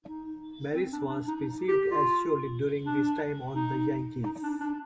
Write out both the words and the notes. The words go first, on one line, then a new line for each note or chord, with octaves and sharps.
Maris was perceived as surly during his time on the Yankees.
D#4
C4
D4
D4
D#4
G4
F4
D4
D#4
D#4
D4
D4